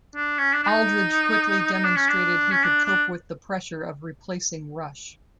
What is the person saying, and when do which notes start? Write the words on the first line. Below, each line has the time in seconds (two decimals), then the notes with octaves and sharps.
Aldridge quickly demonstrated he could cope with the pressure of replacing Rush.
0.15 D4
0.38 C#4
0.53 D4
0.63 D4
0.68 D#4
1.72 D#4
1.84 D4
1.96 C#4
2.08 D4
2.51 C#4
2.63 D4
2.85 D4